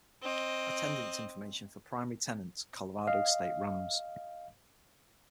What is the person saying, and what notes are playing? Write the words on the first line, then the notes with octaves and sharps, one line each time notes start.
Attendance information for primary tenant, Colorado State Rams.
C4 D#5
D#5 F5